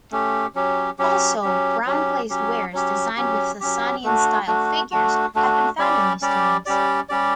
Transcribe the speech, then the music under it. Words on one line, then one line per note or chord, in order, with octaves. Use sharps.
Also, brown glazed wares designed with Sasanian-style figures have been found in these tombs.
A3 C#4 G4
F#3 C#4 G4
F#3 C#4 G4
F#3 C#4 G4
F#3 C#4 G4
F#3 C#4 G4
F#3 C#4 G4
F#3 C#4 G4
F#3 C#4 G4
A3 D4 F#4
A3 D4 F#4
A3 D4 F#4
A3 D4 F#4
G3 C#4 G4 D5
G3 C#4 G4 D5
G3 C#4 G4 D5
G3 C#4 G4 D5